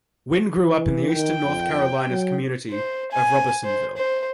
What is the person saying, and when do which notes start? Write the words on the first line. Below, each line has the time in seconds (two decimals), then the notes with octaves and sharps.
Wynn grew up in the Eastern North Carolina community of Robersonville.
0.65 E3
1.14 D#3 G5
1.43 F2
2.09 F#3
2.71 C5
3.12 G#5
3.65 C5
3.97 C5